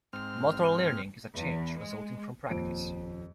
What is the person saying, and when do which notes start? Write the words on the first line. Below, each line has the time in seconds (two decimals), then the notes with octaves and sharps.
Motor learning is a change, resulting from practice.
0.13 G#2 C4 F6
1.35 E2
1.79 G#3
2.50 D#1 F2 C5 D7